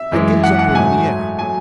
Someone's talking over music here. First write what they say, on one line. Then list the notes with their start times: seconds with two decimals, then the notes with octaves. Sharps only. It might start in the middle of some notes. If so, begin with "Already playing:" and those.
I gaze upward in the air.
Already playing: E5
0.12 F#2 E3 G#3
0.44 F#5
0.59 F#5
0.75 G#2 F#3 A3 G#5
1.39 F#3 A3 G#5